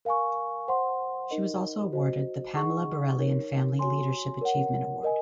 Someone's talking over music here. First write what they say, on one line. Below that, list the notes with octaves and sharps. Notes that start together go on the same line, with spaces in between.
She was also awarded the Pamela Borelli and Family Leadership Achievement Award.
A#4 F5 G#5 C#6
C5 F#5 C6
D#4 A#4 D#5
F#4 C5 D#5
D#4 G#4 D#5 F#5 C#6
D#4 A#4 C#5
F#4 C#5 G#5 C6
A#4 C#5 F#5
A#4 D#5 G#5